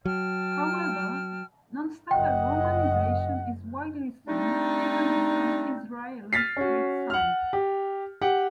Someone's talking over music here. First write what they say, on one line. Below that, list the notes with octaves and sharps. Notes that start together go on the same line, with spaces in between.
However, non-standard romanization is widely seen, even on some Israeli street signs.
F#3 G5 A5 F6
F#1 F#2 D#5 F#5 G5
G3 A3 C4 D4 D#4
F6 A6 B6 C7
C#4 F#4
F#5 F6
G4
G4 F#5 G5